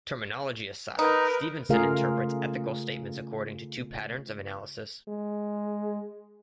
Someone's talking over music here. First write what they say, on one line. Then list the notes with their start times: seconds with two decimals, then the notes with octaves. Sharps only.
Terminology aside, Stevenson interprets ethical statements according to two patterns of analysis.
0.99 D#4 A#4 B4
1.69 C#3 A3 F4 G#4 A#4 F5
5.08 G#3